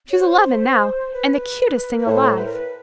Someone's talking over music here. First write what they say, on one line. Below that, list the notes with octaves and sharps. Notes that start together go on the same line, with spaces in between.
She's eleven now, and the cutest thing alive.
C#5
C5
B4
B4
A2 C5 C#5
B4
A#4
B4